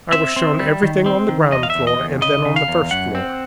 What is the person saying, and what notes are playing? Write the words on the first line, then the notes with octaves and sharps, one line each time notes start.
I was shown everything on the ground floor, and then on the first floor.
C4 E5
C4
G3
D#3
C4
D#3
E2 D#5
F5
E5
E2
D#5
E2
C#3 D#5
C#3
F5
E2
F#2 F#5
C4